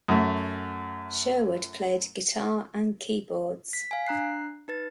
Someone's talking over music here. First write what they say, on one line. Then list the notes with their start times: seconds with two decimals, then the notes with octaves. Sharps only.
Sherwood played guitar and keyboards.
0.08 F#2 A3
3.73 B6
3.91 F5 G#5
4.07 D4 A#5 F#6 C7
4.68 D#4 B4 A6